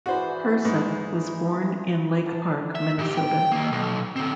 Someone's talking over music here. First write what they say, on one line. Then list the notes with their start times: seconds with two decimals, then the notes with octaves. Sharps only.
Herseth was born in Lake Park, Minnesota.
0.06 E3 F#4 G#4 C5 D5
0.50 E4
0.65 G#2 E3
2.26 C5 F#5 A5
2.75 E5
2.99 G#2 G4
3.17 G5
3.52 D#3 A#3
3.72 B1
4.16 D3 C4